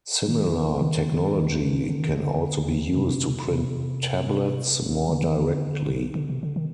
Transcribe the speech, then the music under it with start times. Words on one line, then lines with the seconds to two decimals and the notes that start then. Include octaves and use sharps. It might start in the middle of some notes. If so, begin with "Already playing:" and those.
Similar technology can also be used to print tablets, more directly.
0.27 D#3
0.81 D#3
1.89 D3
2.00 D#3
2.13 D3
2.96 C3
3.49 C3
5.09 D3
5.23 D#3
5.37 D3
6.15 D3
6.29 C3
6.43 D3
6.56 D#3